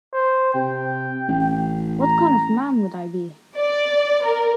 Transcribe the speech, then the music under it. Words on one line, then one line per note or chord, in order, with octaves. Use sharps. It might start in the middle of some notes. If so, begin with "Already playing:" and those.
What Kind Of Man Would I Be?
C5
C3 G5
A1
A#5
D5
A#4